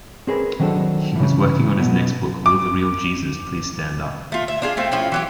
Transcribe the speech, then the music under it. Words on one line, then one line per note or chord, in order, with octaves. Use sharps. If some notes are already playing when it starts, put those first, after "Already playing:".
He was working on his next book Will The Real Jesus Please Stand Up?
C4 G#4 A#4 B4
D#3 F#3 C4 D4 A4
C#3 E3
B2 F#3 B3
D6
A3 F4
E5
D4 F4 G#4
A3 C4 F4
F3 C#4 E4 F4
E3 F#3 G4